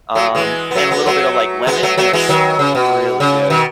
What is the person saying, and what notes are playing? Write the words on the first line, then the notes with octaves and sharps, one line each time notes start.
um, and a little bit of, like, lemon, and it was super was really good.
F#3 A3
E3 G#3
B3
F#3 A3
G#3 B3
F#3 A3
G#3 B3
F#3 A3
F#3 A3
E3 G#3
D#3 F#3
C#3
B2
C#3
B2 D#3